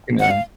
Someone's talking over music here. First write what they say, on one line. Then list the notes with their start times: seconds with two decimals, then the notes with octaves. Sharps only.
you know?
0.20 F#5
0.31 F5